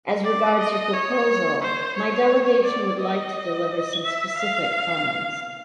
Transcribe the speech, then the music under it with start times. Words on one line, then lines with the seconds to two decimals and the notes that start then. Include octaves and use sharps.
As regards your proposal, my delegation would like to deliver some specific comments.
0.24 D5
0.59 D#5
0.93 C#5
1.62 C5
1.97 C#5
2.65 D5
3.00 D#5
4.04 E5
4.38 F5